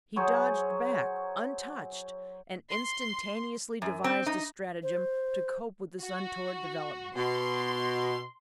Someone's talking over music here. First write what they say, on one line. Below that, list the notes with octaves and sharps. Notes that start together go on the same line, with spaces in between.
He dodged back, untouched, and instantaneously devised a stratagem to cope with this untoward development.
F#3 G#4 C5 C#5
C6
F#2
C4
D#4
C5
F#4
B2 C6